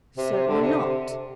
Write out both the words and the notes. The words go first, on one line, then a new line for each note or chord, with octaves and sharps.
"Certainly not."
C3
C3
D3
C3